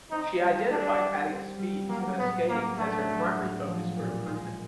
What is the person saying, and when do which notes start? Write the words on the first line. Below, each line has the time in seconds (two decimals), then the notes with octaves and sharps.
She identified adding speed to her skating as her primary focus for improvement.
0.11 C4 D#4
0.41 G3
0.70 D4 E4
1.00 G3
1.29 C4
1.59 G3
1.88 F#3 A#3
2.19 A2 B3
2.48 A#3 B3
2.77 A3 D4
3.07 F#3
3.37 A2
3.67 F3
3.96 A#2
4.25 G#3